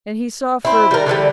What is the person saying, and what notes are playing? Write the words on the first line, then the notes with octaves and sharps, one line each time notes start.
And he saw further.
C4 E4
G3 A#4
D3 E3 F#3 G3